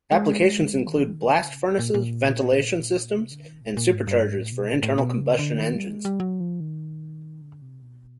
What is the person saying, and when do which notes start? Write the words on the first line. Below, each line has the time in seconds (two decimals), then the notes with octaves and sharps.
Applications include blast furnaces, ventilation systems, and superchargers for internal combustion engines.
0.12 G#3
0.73 G3
0.88 D#3
0.93 E3
1.13 D#3
1.34 D3
1.49 C#3
1.79 A#2
1.94 A#2
3.15 C3
3.32 D3
3.46 D#3
3.61 A#2
3.77 A#2
3.93 G#2
4.07 G2
4.23 G#2
4.38 A2
4.52 B2
4.68 A#2
4.83 A2
4.98 B2
5.19 C#3
5.39 D3
5.59 D#3
5.75 G3
5.89 G#3
6.05 G3
6.20 F#3
6.40 F3
6.60 D#3
7.41 D3
7.62 C3
7.82 B2